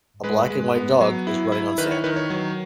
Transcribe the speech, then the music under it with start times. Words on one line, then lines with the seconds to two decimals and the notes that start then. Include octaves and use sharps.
A black and white dog is running on sand.
0.23 G#3 B4
0.50 G#3
0.75 B3
1.01 F#3
1.27 E4
1.52 E4
1.78 D#3 B4
1.91 C#5
2.04 D#3 B4
2.16 C#5
2.30 F#3